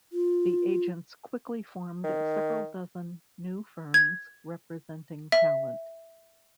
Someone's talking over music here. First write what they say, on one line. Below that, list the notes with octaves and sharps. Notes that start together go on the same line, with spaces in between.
The agents quickly formed several dozen new firms, representing talent.
F4
D#3
G#6
E5